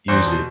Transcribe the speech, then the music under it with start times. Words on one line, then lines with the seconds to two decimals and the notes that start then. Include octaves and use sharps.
use it.
0.08 E2 C5
0.26 B2